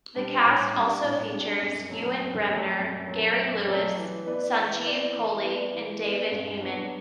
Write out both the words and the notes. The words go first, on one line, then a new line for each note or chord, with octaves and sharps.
The cast also features Ewen Bremner, Gary Lewis, Sanjeev Kohli and David Hayman.
G3 D4
A2
G3 D4
A2
G3 D4
F#2
F#3 A3
F#2
F#3 A3
F#2
F#3 A3
F#2
F#3 A3
E3
B3 E4 B4 D5
E3
B3 E4 B4 D5
E3
B3 E4 B4 D5
E3
B3 E4 B4 D5
G2
F#3 B3 D4 F#4